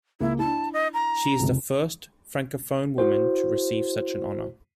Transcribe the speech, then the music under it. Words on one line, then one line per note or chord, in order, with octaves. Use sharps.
She is the first Francophone woman to receive such an honour.
C#2 A#3 E4
D4 E4 A5
D#5
A#5
F1 C#2
E4 F#4 C5